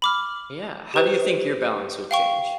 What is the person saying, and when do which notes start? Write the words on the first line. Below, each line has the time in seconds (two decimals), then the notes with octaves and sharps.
Yeah. How do you think your balance would change?
0.02 B5 D6 F6
0.94 G4 B4 C5
2.11 F5 G5 C#6